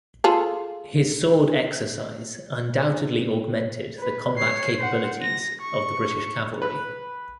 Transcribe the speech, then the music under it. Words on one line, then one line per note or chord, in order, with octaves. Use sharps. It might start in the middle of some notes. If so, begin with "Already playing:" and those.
His sword exercise undoubtedly augmented the combat capabilities of the British cavalry.
F4 G#4 A4
B4
C#5 C7
C5 F#5
A#6
C#6
B4